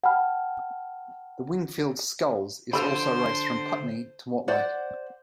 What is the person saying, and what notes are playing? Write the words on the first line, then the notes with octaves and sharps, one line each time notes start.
The Wingfield Sculls is also raced from Putney to Mortlake.
F#5 G5 A5 B5 F6
D3 F3 A4 C5 B5
C5 D5 F#5